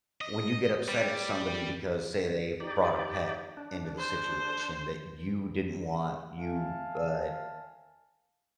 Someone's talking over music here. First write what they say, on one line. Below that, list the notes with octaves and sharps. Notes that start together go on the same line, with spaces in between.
when you get upset at somebody because, say, they brought a pet into the situation that you didn't want, you, uh,
D#5
G3
D#4 G4 D5
D4
C5
E5 F5 G#5 A5